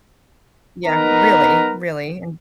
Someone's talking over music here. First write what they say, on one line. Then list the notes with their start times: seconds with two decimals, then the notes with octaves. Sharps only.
Yeah, really really, and
0.87 B3 D#4 A#4 B4 A#5